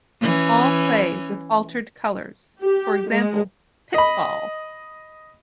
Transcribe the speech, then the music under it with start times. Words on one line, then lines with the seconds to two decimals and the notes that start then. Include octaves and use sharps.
All play with altered colors - for example, Pitfall!
0.21 E3 C#4
2.62 G4
3.11 G#3
3.94 D#5 B5